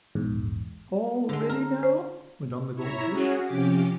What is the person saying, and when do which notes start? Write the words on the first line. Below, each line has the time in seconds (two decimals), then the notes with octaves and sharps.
"All ready now!" went on the gold fish.
0.15 A#1 E2 G#2
1.29 D3 G#3
1.49 A#4
1.83 C5
2.74 E4 C#5 E5 A#5
3.08 C#4 F#4 G#4
3.46 C3 F3 C#4 G4 D6